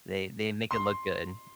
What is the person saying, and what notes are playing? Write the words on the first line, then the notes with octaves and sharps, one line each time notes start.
They they make it look good.
C6